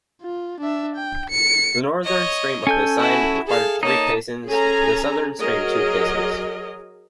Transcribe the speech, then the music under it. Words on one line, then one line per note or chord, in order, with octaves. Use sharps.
The northern stream of the Seine required three caissons, the southern stream two caissons.
F4
D4 E5
G5
C#7
C#5 D#5
C#4 A4 G#5 G6
E4 F#4
G#4 A4 F5
A#3 D#4 C#5 A5
C#4 G#4 A4 G#5 A#5
F#3 G#4 A#4 D#5